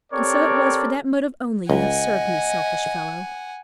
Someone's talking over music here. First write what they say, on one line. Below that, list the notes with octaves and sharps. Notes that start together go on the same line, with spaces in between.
"And so it was for that motive only you have served me; selfish fellow!"
C4 G4 A4 A#4 C#5 D5
C#2 D#5 F#5 G#5